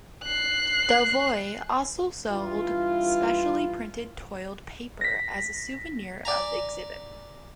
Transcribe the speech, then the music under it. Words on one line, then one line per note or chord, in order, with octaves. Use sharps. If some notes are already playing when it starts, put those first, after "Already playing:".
Delvoye also sold specially printed toiled paper as a souvenir of the exhibit.
F#6 C7
G2 E3 E4 F4
A#6 B6
D5 G#5 A#5